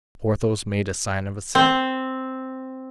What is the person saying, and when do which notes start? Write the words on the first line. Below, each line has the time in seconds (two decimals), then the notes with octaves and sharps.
Porthos made a sign of assent.
1.55 C4